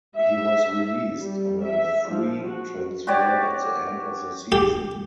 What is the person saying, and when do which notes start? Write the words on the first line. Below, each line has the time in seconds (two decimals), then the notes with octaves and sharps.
He was released on a free transfer at the end of the season.
0.17 E5
1.21 G3
1.64 E5
2.09 F3
2.44 F#4
3.07 F#4 G4 C#5 D5
4.52 G4